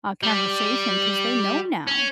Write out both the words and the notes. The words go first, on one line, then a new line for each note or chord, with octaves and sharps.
uh, conversation 'cause they know now.
G3
C#4